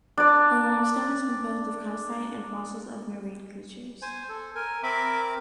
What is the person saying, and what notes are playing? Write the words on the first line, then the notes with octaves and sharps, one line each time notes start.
The limestone is composed of calcite and fossils of marine creatures.
D4 D5
C5 G#5
A4
A#4 G#5
C4 A#4 E5 B5 D6